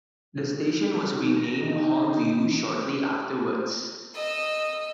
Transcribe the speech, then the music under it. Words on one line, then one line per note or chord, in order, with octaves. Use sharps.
The station was renamed Holmview shortly afterwards.
D#3
A#5
D#4
D#5 E6